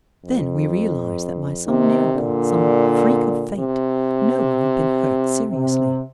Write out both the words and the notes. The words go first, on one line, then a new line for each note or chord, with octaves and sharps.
Then we realized that by some miracle, some freak of fate, no one had been hurt seriously.
F2
C3 D#3
A#2 D3
C3
C3